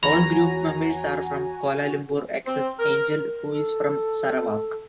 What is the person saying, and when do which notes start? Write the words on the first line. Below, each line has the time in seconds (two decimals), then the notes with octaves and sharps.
All group members are from Kuala Lumpur except Angel who is from Sarawak.
0.03 E2 F#4 C#5 G#5 A#5 B5
2.47 C4
2.79 A#4
3.48 A4